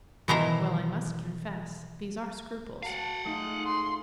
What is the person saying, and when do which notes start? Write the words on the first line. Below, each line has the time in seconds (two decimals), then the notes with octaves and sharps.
"Well, I must confess, these are scruples."
0.28 B2 D#3 E3 E4 C5 A#5
2.82 F#4 F5 F#5 A5
3.25 G#3 A3 D#4 F4 D#6
3.66 C6